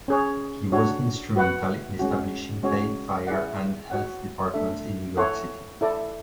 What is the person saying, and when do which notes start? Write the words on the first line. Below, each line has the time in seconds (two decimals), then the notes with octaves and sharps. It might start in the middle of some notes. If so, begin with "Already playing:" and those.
He was instrumental in establishing paid fire and health departments in New York City.
0.08 C#4 G#4 C#5
0.72 D4 F#4 C#5
1.36 F#4 B4 F#5
1.99 G#3 C#4 F#4
2.63 G#3 C#4 F#4 C#5
3.27 E4 G#4 D5 F#5
3.90 F#4 C#5 F#5
4.54 A3 D4 A4 E5
5.17 E4 A4 C#5 F#5
5.81 E4 A4 D5